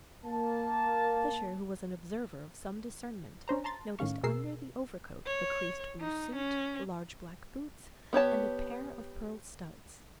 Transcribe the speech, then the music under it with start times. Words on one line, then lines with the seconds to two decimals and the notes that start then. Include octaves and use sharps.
Fisher, who was an observer of some discernment, noticed under the overcoat a creased blue suit, large black boots and a pair of pearl studs.
0.24 A#3 A5
3.48 C#4 D4 C5 A#5
3.64 A5 A#5 C6 A6
3.99 A2 D#3 C#4 F5 C#6
4.23 B2 G#4 A#4 E6 C7
5.26 C#5
6.01 D#4
6.36 C#4
8.13 B3 G4 C#5 A5